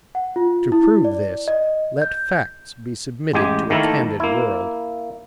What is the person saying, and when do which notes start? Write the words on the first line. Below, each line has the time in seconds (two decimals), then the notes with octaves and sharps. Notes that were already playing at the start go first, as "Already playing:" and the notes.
To prove this, let Facts be submitted to a candid world.
0.15 F#5
0.36 F4
0.72 E4
1.05 D5
1.48 D#5
2.02 G6
3.33 A1 G#3 G4 G#5
3.70 D#3 A3 A#3 E4 A4 A#4
4.20 A#3 E4